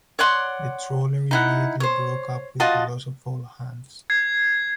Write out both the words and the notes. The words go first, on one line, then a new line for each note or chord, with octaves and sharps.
The trawler immediately broke up with the loss of all hands.
C#5 D5 F#5 C6
D#4 E4 F#5
C5 C#5
F4 F#4 D#5 A5
G#6 C7